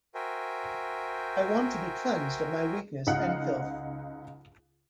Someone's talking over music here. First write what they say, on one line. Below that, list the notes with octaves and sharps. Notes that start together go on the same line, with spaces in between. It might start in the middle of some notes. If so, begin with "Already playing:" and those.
I want to be cleansed of my weakness and filth.
F#4 A#4 C5 E5 G5 G#5
C#2 D#4 F5 F#5 F#6